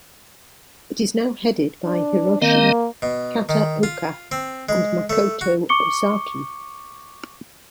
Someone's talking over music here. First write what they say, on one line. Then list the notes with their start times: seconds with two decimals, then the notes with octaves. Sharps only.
It is now headed by Hiroshi Kataoka and Makoto Osaki.
1.84 D4
2.42 D#3 A#3 C4 D#5
3.02 B2
3.49 D#3
3.83 F4
4.32 C4
4.69 G#3
5.10 A3
5.41 F#4
5.69 C#6 D6 C#7 G7